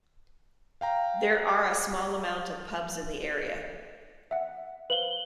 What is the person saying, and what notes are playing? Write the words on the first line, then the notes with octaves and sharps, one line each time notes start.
There are a small amount of pubs in the area.
F5 G5 A#5
E5 F#5
B4 C5 F5 F#7 G7